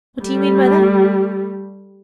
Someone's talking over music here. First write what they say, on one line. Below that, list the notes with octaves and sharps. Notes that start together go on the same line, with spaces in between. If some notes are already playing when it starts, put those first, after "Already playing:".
"What do you mean by that?"
G3 A3